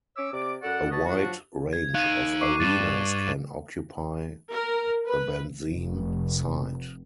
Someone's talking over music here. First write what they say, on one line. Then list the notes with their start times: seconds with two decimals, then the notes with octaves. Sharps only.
A wide range of arenes can occupy the benzene site.
0.17 C#4 C#5 D6 E6
0.32 C3 D5 D6
0.62 F#2 A4 D5 F#5
0.91 F#4 B4 C#5 D#5 A5
1.06 F3 F#3 D4 F#4
1.73 G#6
1.95 D#4 F5 F#6 D#7
2.41 C#6 D6 C7
2.60 G2 A6 E7
4.52 A#4
5.07 B4
5.72 F1